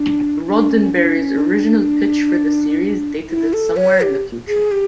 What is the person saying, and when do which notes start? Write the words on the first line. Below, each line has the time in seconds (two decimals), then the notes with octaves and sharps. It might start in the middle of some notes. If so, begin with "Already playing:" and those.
Roddenberry's original pitch for the series dated it 'somewhere in the future.
Already playing: D4
0.46 D4
0.70 C#4
0.94 D4
1.17 C#4
1.41 D4
3.30 E4
3.53 A4
3.76 C#5
4.01 G4
4.48 G#4
4.72 G4